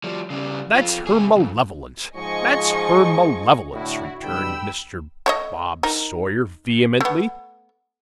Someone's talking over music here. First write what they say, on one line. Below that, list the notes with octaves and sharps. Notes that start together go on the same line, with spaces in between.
'That's her malevolence--that's her malevolence,' returned Mr. Bob Sawyer vehemently.
F3 G3
C#3 G3
F2 F4
C3 G#4
C2 F2
G#2 F3 G#4 D#5 G#5 C#6
A2 D3 E4 F#4
B2 D3 G3 G5 B5 E6
A3 C#5 D#5
D#4 A#4
A3 B3